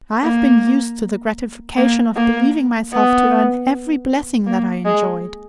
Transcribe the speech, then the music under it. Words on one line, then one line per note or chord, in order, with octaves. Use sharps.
I have been used to the gratification of believing myself to earn every blessing that I enjoyed.
A#3
A#3
A#3
B3
A#3
G#3